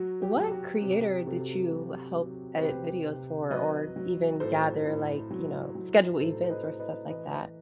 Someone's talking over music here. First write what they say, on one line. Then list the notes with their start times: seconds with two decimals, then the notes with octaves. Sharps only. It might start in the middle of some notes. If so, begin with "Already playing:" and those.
what creator did you help edit videos for, or, even, gather, like, you know, schedule events or stuff like that?
Already playing: F#3 F#4
0.22 G4
0.36 F#3
0.52 F#4
0.81 C3 G4
1.27 C3 F#4 A4
1.72 F#3
2.16 F#3
2.57 C5
2.61 C3 G4 B4
3.06 C3
3.50 F#3 B4 D#5
3.96 F#3
4.40 A2 A4 C5
4.85 A2
5.31 F#3
5.75 F#3
6.20 A2 A4 C5
6.44 C5
6.50 B4 D#5
6.65 A2
6.80 B4 D#5
7.09 E3 B4 D#5